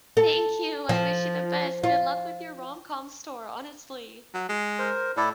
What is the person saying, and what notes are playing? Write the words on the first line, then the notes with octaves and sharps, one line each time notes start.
Thank you, I wish you the best. Good luck with your rom-com store, honestly.
A4
F3
F4
F#3
G#3
A#4 C5
A2 E4 A4 D5